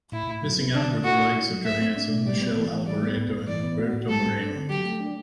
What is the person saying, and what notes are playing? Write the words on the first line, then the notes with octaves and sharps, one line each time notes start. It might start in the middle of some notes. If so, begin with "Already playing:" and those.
Missing out were the likes of Johansson, Michele Alboreto and Roberto Moreno.
A2 E4
A2
F#3
B3
D3 D4
D3
A3 F#4
E4
E4
F#3
A3 E5
C4
D4
B2
G3 D5
B3
E3
E3
G3 D5
B3
A2
A2
E3 D5
B3
F#4
A2
G3 A4
C4
D4
D3
F#3 G4
A3
D4